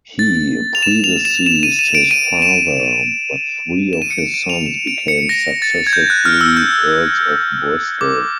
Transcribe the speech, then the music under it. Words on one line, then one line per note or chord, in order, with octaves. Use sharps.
He predeceased his father, but three of his sons became successively Earls of Bristol.
A6
F7
E7
F7
E7
E7
D#7
D#7
D7
D#7
E7
E7
D#7
C#7
D7
D7
F7
E7
D7
C#7
A#6
A6
G#6
G6
F#6
F6
E6
G6
D6